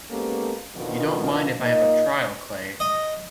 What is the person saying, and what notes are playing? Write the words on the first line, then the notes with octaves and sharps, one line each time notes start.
You don't mind if I have a trial, Clay.
G#3 A#3 B3 C#4 G4 A4
F2 B2 D3 D#3 F3
A#2 A#3 D#4 D#5
D#5